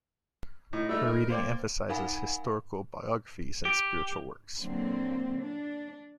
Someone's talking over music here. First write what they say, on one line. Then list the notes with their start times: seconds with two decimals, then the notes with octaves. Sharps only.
Her reading emphasizes historical biographies and spiritual works.
0.73 A2 D#4
0.89 G3 A3 D#4 E5
1.07 A#4
1.30 A#3 C5 D5 G5
1.89 D#4 A#4 F5 F#5 G#5 B5
3.65 G4
4.59 A#2 D3 F#3 A#3 C4
5.42 D4